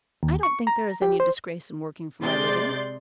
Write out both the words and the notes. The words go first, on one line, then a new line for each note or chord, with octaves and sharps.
I don't think there is any disgrace in working for my living.
D#2
C#6
A#5
G4
C5
C3 G#3 D5 C6 G6 A6